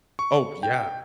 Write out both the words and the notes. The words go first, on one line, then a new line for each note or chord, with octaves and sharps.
Oh, yeah.
C#6
G5